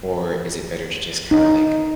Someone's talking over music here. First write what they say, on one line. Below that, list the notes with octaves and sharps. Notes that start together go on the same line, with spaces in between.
or is it better to just kinda, like,
D#4